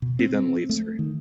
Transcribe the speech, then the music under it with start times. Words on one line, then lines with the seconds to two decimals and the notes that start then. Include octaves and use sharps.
He then leaves her.
0.02 B2
0.19 C4
0.69 A3
0.99 D#3